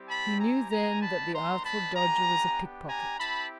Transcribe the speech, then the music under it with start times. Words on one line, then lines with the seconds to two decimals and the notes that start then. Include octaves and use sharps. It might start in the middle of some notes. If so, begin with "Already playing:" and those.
He knew then that the Artful Dodger was a pickpocket.
Already playing: G3 C4 E4 G4
0.08 A5 B5
0.40 G#5 A#5
0.71 G3 B3 D#4 G#5 A#5
1.02 A5 B5
1.33 A#5 C6
1.64 A5 B5
1.95 B3 D4 G4 G#5 A#5
2.88 G#5 A#5
3.19 C4 E4 G4 A5 B5